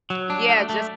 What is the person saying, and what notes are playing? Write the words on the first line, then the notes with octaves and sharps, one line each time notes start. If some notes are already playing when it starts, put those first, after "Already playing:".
Yeah, just
F#3
D4
A3
A3